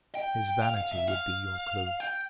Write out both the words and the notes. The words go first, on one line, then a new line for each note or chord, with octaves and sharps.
His vanity would be your clue.
G5
F5
F5
E5
F5
G5